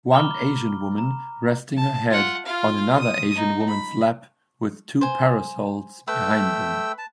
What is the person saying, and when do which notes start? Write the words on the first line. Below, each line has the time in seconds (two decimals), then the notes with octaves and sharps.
One asian woman resting her head on another asian woman 's lap with two parasols behind them.
0.12 A#5 B5 D6 F6 G7
0.98 A#5
1.76 A5
2.10 F4 F#5
2.46 F4 F5
2.99 D#6
3.35 D#4
3.68 B5
5.01 C5 G#5
6.08 A3 B4 G5 E6
6.98 A5